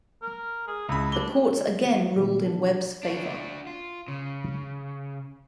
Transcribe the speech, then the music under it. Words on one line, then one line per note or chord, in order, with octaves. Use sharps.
The courts again ruled in Webb's favor.
A#4
G#4
C#2 E4 B5
D4 G7
E3
A#2 D#3
B2 E3 D4
D4 F#4
F4
C#3